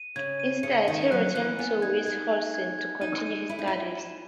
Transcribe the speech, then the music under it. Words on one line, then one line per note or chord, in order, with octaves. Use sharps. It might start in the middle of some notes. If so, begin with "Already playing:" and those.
Instead he returned to Witzenhausen to continue his studies.
Already playing: D#7
C#3 G#6
D#7
C#3 C#7
D#3 C#7
F#3 F#6
E3 F#6
B3 G#5
D#4 G#6
D#4 G#6
G#5
G#6
G#6
D#4 D#7
D#7
E4 B5
D#4
E4
B6
E7